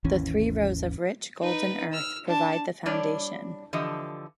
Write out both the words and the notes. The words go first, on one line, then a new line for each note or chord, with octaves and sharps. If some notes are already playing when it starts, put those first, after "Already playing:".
The three rows of rich, golden earth provide the foundation.
G#1 D#2 E3 C#4
D#4 B4
E6 F6
D4 A5
G3 D4 E4 C#5 D5
D3 E3 F3 G4 A4 D#5